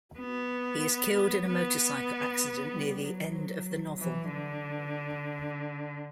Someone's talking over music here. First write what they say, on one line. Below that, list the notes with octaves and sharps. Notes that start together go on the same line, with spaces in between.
He is killed in a motorcycle accident near the end of the novel.
B3
B3
G3
F#3
E3
D3